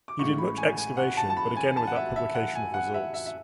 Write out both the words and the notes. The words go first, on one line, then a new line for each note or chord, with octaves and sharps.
He did much excavation, but again without publication of results.
D6
A1 A2 G#3 C#6
B5
G#5
G#5
F#5
A5
A5
B5
G#5
A5
F#5
E5
E5
F#5
G#5
F#5
E5
E5
E5